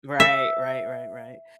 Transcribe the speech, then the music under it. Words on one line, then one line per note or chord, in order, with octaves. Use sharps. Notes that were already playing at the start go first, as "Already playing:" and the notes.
Right, right, right, right.
E5